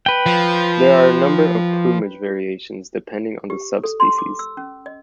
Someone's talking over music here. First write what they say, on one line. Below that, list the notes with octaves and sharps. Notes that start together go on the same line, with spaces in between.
There are a number of plumage variations depending on the sub-species.
B4 G5
F3
G4
A4
C6
D6
E6
C#4
D#5